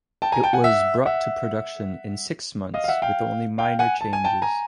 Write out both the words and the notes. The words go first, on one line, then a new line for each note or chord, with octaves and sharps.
It was brought to production in six months with only minor changes.
G5 A5
G#5 A#5
G5 A5
F#5 G#5
E5 F#5
E5 F#5
D#5 F5
F5
E5 F#5
F5 G5
F5 G5
F#5 G#5
A5
G#5
G5 A5
G#5 A#5